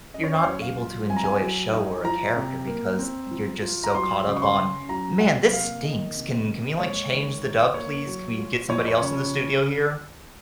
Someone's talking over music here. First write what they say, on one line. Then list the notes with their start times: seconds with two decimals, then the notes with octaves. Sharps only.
you're not able to enjoy a show or a character because you're just so caught up on, "Man, this stinks. Can can we, like, change the dub, please? Can we get somebody else in the studio here?"
0.14 C#4 D#5
0.24 C#5
0.34 C5
0.44 F#3 C#5
0.62 F5
0.78 F4
1.09 C4 G#5
1.16 A#5
1.24 G#5
1.41 F#3
1.72 D#4
2.04 F3 A#5
2.36 C3
2.67 A#3
2.99 C4
3.31 F3
3.62 F4
3.84 A#5
3.95 F#3 C6
4.26 C#3
4.37 C#6
4.42 C6
4.58 C#4
4.89 F#3 A#5
5.20 C3 F#5
5.52 A#3 F5
5.84 D#3 D#5
6.16 C3
6.48 A#3
6.79 G#3 C#5
7.11 D#3
7.43 D#4
7.74 A#3 C#5
8.06 F#3
8.38 F4
8.69 F3 C#5
8.78 D#5
8.88 C#5
9.01 C#3